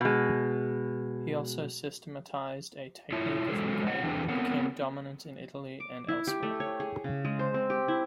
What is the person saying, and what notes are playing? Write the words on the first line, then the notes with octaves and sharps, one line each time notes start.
He also systematized a technique of engraving that became dominant in Italy and elsewhere.
B2 G#3
E4 F4 C#5 E5
E3 F#3 G#3 A4 C5
C5 C#5 F#5
E2 E3 D4 A4 B4 G5
B3 C4 A#4 C#5 F#5
D6
E4
G4
A3
C#5
G#4
C#3
G#3
C5
C4
G4
E4